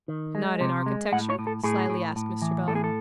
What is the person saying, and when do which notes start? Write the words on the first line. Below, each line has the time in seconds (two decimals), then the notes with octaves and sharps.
'Not in architecture?' slyly asked Mr. Bell.
0.08 D#3
0.35 G#3
0.61 C3
0.86 G#3
1.12 A2 F#5
1.30 C#5
1.39 A2
1.47 A4
1.64 A2 G#4
1.90 A2
2.16 A2
2.42 E3
2.68 A2 A4
2.75 G#4
2.84 A4